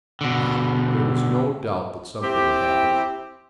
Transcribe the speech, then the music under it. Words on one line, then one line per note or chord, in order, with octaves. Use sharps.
Ah! there was no doubt that something had happened!
B2 D3
C4 E4 G4